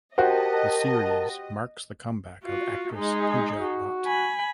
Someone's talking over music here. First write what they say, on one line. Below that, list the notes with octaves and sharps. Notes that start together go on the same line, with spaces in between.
The series marks the comeback of actress Pooja Bhatt.
F#4 G4 A#4 C5 D#5 A5
F4 F#4
G#3 D#4 G#4
F#4
G#5 B5